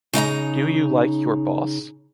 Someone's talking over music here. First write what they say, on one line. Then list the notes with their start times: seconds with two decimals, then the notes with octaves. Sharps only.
Do you like your boss?
0.13 C#3 D#4 E5 A#5